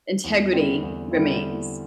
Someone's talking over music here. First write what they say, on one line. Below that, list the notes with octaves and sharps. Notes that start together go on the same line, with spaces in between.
integrity remains.
E2
D3 G3 C4 E4
E2
D3 G3 C4 E4